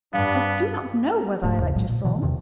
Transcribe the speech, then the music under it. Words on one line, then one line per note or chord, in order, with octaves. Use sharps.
"I do not know whether I liked your song."
G2 G3 B3 D4 F5
D1 D2 G#2 A3
D#2 C#3
B1 A2 F#3 G#3
A#2
B2 D3 E3
E2 G2 C3 D#3